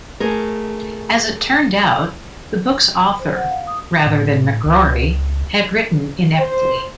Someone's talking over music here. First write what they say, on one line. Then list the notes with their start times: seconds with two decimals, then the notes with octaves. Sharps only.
As it turned out, the book's author, rather than McGrory, had written ineptly.
0.20 A3 G#4 A#4
3.20 C5
3.36 F#5
3.50 F5
3.67 D#6
4.07 A2
4.66 C#2
6.39 C5